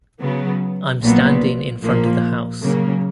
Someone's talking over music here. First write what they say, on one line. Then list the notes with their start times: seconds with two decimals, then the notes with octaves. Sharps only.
I'm standing in front of the house.
0.20 C#3 F#3 B3
1.01 A#1 A#2 F#3 B3
1.81 A#1 A#2 F3 A#3
2.61 C#3 F#3 A#3